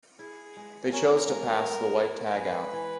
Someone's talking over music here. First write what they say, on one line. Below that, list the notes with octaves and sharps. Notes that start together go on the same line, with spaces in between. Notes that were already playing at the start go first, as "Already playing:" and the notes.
They chose to pass the white tag out.
E4 G#4
G#3
C#4 A#4
G#3
B3
E4
G#3 B4
E3